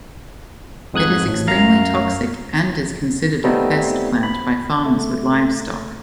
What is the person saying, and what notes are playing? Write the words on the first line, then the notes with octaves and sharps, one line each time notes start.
It is extremely toxic, and is considered a pest plant by farmers with livestock.
F2 G#2 D#6 F#6 G#6
A1 A2
F#2 F5 A#5
G3 A3 B3 C4 D#4
B5
A3